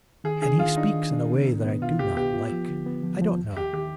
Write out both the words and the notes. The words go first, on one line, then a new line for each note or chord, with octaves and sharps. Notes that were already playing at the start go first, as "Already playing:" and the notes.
And he speaks in a way that I do not like--I don't know....
D#3 G#4
D4 G#4
D#3 F4
D4 D#4
D#3
D4
B3
B2
B3
B2 F4
C2 G4
B3 G4
F4
F3
D3
B3
F3
F3
D#2
D#2 G4
D#3 G4